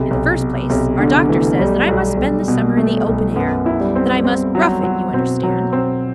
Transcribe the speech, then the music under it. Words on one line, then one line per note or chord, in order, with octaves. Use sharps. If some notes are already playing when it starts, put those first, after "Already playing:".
In the first place, our doctor says that I must spend the summer in the open air--that I must rough it, you understand.
Already playing: B1 C3
B1
B2
B1 C3
B2 D3
E3 A3
B1 G3
B1
B1
B2
A3
B1
F#2 B3
E4
G3
C4
C4
F#3
F#3
B2 C4
F#3
C4